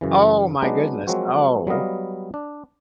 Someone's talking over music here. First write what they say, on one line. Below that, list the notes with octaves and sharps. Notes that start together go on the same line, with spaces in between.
Oh my goodness. Oh.
F#2 C#3 E3
F#3 G#3 B3 D4 D#4
F3 F#3 G#3 A#3 C4 F#4
F#3 G3 B3 D#5 F5
D4